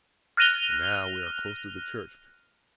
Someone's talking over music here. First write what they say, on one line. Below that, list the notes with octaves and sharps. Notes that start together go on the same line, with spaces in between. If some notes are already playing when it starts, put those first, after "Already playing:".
And now we are close to the church.
F6 F#6 A#6 D#7 F7 G7